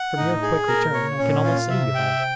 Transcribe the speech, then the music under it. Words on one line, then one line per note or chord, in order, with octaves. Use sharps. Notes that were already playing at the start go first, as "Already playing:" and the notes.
From your quick return, I can almost say you have.
Already playing: F#5
A2 D#4
G#4
A#2 A#4
C#5
A#2 C#4
F4
C3 E5
G5